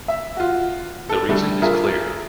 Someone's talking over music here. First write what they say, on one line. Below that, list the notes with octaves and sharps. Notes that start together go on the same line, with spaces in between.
The reason is clear.
E5
F4 F#4
A4
G3 A3 D4 A4
F4 G#4 A#4 E5